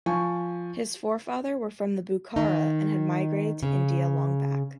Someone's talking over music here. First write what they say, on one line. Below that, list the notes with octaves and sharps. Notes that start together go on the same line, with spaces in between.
His forefather were from Bukhara and had migrated to India long back.
F3 G#5 C#6
D#3 D#4
C#3